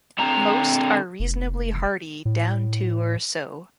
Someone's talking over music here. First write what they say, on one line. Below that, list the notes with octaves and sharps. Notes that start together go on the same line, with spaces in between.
Most are reasonably hardy down to or so.
D3 C4 A#5
F1
A2